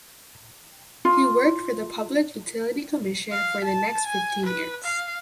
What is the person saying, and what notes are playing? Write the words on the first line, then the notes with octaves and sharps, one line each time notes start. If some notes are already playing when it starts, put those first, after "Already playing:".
He worked for the Public Utility Commission for the next fifteen years.
F4
F5
A5
G#5
B4
F5